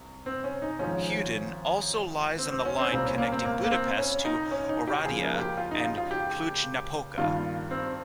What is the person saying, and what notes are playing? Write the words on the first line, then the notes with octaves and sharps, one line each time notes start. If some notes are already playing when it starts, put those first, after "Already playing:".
Huedin also lies on the line connecting Budapest to Oradea and Cluj-Napoca.
Already playing: C2
C4
C#4
D#4
G#1 G#2 F3 C#4
C4
C4
C#4
C4
C2 A#2 G3 A#3 C4
C#4
A#3
C4
A#3
A#3
C4
C#4
D#4
C#4
D#4
G4
C#2 C#3 F3 A#3 G#4
A#4
G4
F4
D#4
F4
F4
G4
G2 D#3 G3 A#3 F4
C4